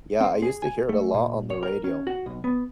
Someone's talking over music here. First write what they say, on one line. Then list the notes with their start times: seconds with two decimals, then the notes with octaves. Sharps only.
Yeah, I used to hear it a lot on the radio,
0.21 C4
0.42 G#4
0.62 G#5
0.89 A3
1.14 A#2
1.50 C#5
1.63 A#4
1.84 C#4
2.07 F#4
2.26 B1
2.44 B3